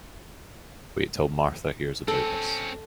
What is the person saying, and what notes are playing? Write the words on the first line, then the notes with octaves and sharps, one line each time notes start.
Wait till Martha hears about this.
C4 C#4 A4